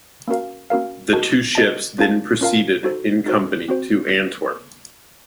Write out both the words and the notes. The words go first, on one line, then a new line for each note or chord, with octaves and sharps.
The two ships then proceeded in company to Antwerp.
A#3 C#4 F#4 A#4 F5
A#3 C#4 F#4 A#4 F5
F#4 A#4 D#5 A5
F#4 A#4 D#5 A5
C#4 F4 A#4 F5 A5
C#4 F4 A#4 F5 A5
D#4 F#4 A4 C5
D#4 F#4 A4 C5
C4 F#4 C5